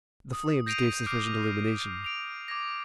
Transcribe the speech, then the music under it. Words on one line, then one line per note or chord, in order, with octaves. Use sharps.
The flames gave sufficient illumination.
D#6
G6 A#6 C7 D7 D#7 F7
D6 F6 G6 C7 D7
D7 F7
D6 G#6 A#6